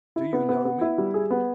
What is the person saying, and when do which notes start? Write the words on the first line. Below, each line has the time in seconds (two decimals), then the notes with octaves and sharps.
"Do you know me?"
0.16 E4
0.33 B3
0.49 B3
0.65 B3
0.81 E4
0.98 G3
1.14 G#4
1.30 B3